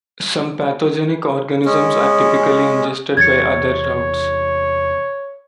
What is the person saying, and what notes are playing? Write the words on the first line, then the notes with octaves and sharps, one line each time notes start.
Some pathogenic organisms are typically ingested by other routes.
G#3 C#4
E2 C3 E3 C#5 G#6 A6 C#7